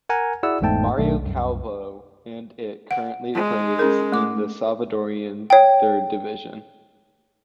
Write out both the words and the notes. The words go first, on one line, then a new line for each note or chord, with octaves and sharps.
Mario Calvo and it currently plays in the Salvadoran Third Division.
A#4 F#5 G#5 A#5
E4 F#4 G#4 D5 F#5 E6
G1 E2 G#2 A3 G5 A5
B1 D#3 A3 D4
C2 F#2
F#5
G#3
C#4 G#4 A#4
A3 D6
C#5 G5